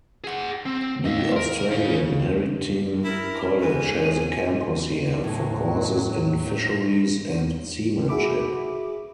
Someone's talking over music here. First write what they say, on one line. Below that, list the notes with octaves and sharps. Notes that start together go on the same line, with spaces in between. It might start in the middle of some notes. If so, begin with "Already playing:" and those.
The Australian Maritime College has a campus here, for courses in fisheries and seamanship.
G#4 F#5
C4
D#5 F5
A#4
C#5 F5
E4 A#4
G#2 G#5
D#2 A2 F#3
F#4 G#4 E5 B5 D6